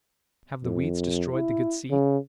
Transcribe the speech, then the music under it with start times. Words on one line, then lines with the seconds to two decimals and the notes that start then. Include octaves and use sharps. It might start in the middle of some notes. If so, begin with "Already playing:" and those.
"Have the weeds destroyed the good seed?"
0.64 F2
1.33 E4
1.90 C#3